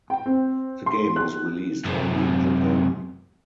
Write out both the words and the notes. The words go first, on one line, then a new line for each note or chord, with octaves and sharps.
The game was released only in Japan.
G5
C4
C6
F#6
F#2 C3